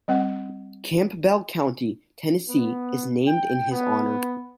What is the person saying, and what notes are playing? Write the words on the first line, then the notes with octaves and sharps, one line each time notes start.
Campbell County, Tennessee, is named in his honor.
G3 C4 F#5
B3
G5
B3